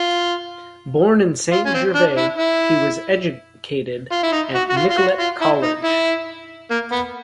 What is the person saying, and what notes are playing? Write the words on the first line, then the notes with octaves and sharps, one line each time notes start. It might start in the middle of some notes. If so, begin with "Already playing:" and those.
Born in Saint Gervais, he was educated at Nicolet College.
Already playing: F4
F4
C#4
C4
D4
E4
E4
F4
E4
D#4
F#4
F#4
F4
F4
F#4
F4
E4
D#4
E4
A#3
B3